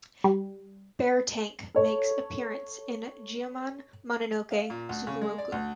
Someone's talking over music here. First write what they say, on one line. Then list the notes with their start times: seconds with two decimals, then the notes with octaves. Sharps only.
Beartank makes appearance in Goemon Mononoke Sugoroku.
0.24 G3
1.75 A4 C#5
4.51 F5
4.70 A#2
4.89 D2
5.07 C#3
5.21 G#3
5.38 D5
5.52 D2